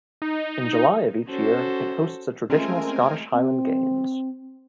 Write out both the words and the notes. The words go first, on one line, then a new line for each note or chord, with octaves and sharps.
In July of each year it hosts a traditional Scottish Highland Games.
D#4
C#4 F#4 A4 C5
G#3 A3 C4 C#4 F4 A#4 G#5
C4